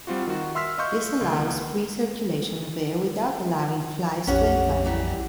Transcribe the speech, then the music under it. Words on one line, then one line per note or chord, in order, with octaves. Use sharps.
This allows free circulation of air without allowing flies to enter.
G3 C4 F4 F#4
D#3 F#4
E5 C6 E6 F6 B6
D#5 F5 C6 C#6 G6
C#2 A#3
A#1 F2 C#4 G4 F#5
E3 F#3 G3